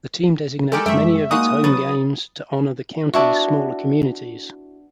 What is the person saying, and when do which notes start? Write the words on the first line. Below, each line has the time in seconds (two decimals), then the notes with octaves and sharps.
The team designates many of its home games to honor the county's smaller communities.
0.72 G#3 G4 A4 A#4
0.86 F#2 G#3 A3 E5 G5
1.31 G#3 A#3 D#4 F#4 F5 D#6
1.64 F#3 B3 A6
3.14 B3 D4 E4 F#4